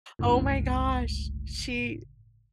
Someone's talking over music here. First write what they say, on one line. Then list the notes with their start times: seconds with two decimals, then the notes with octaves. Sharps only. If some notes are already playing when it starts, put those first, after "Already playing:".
Oh my gosh, she
0.19 G1 C#2 A2